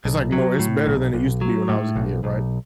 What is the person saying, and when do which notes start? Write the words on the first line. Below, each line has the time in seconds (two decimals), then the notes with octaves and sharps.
it's, like, more it's better than it used to be when I was a kid, right,
0.05 B1
0.32 F#3
0.59 A2
0.86 B1
1.14 B1
1.41 F#3
1.69 A2
1.96 B1
2.24 B1